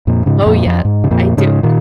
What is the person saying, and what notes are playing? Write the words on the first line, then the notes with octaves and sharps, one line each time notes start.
Oh, yeah. I do.
F2 A#2
G#2 C#3
C#3
F2 A#2
F2
G#2
C#3
F2 A#2
G#2 C#3
A#2 D#3